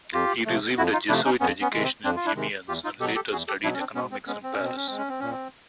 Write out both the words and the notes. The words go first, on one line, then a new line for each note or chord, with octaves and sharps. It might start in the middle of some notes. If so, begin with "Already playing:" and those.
He received a Jesuit education in Amiens and later studied economics in Paris.
F2 F4 G4
C3 F3 A3
F2 E4 F#4
D#4 F4
C3 F3 A3 D4 E4
C#4 D#4
F2 B3 C#4
B3 C#4
C3 D#3 G#3
C4
F2 C4 D4
F4
D4 E4
C3 D#3 G#3
E2 F4 G4
D#4 F4
B2 F#3 G4 A4
G4 A4
E2 F#4 G#4
G4 A4
B2 F#3 D4 E4
C#4
C4 D4
B2 B3 C#4
C4
G#3 B3 C#4
C4
C#4
B2
C4
C#4
G#3 C4
C#4
C4
A#2 C#4
C4